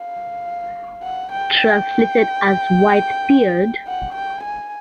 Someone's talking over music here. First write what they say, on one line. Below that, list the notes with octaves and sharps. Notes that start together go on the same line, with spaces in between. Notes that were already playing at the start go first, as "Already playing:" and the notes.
Translated as "White Beard".
Already playing: F5
F#5
G5
G5
F#5
G5
G#5